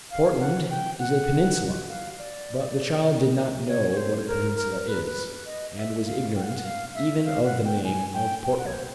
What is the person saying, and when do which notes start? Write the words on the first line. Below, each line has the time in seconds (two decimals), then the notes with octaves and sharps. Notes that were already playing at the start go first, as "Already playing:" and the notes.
Portland is a peninsula; but the child did not know what a peninsula is, and was ignorant even of the name of Portland.
0.11 F5
0.40 F#5
0.70 G5
0.99 F#5
1.88 F5
2.19 D5
3.68 C#5
3.90 C#5
3.97 C5
4.27 A#4
4.56 A#4
4.87 B4
5.06 B4
5.46 D#5
5.76 E5
6.05 F5
6.35 G5
6.43 F#5
6.49 F5
6.56 F#5
6.65 F5
6.95 E5
7.25 F5
7.45 F#5
7.64 G5
7.84 G#5
8.14 G5
8.43 G5
8.58 F#5
8.66 C#5
8.73 C5